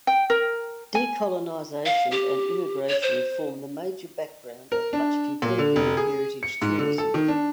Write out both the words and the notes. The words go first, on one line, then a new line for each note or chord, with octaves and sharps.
Decolonization and immigration form the major background of much contemporary heritage tourism.
G5
A#4
G#5
F5
G4
C#5
C5
A#4
D4
A#2
D3
F1
G#4
C#7
G#2
D3
A4
D#3
D4